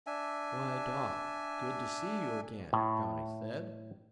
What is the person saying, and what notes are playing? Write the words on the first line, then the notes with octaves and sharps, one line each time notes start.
"Why, Doc, good to see you again," Johnny said.
D4 E5 G#5
A2